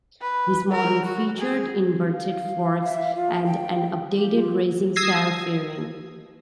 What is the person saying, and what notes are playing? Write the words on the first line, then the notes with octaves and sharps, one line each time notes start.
This model featured inverted forks and an updated racing-style fairing.
B4
A#4
F#4
G#4
F5
E5
F4
G5
G4
F4
D#6 E6 G#6 A#6 C7